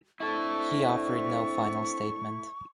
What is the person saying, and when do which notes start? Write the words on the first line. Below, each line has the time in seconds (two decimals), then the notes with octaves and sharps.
He offered no final statement.
0.20 C4 D4 E4 A4 C#6